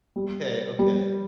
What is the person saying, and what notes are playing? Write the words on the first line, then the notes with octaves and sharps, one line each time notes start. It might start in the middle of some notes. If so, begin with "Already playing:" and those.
Okay, okay.
G3
G3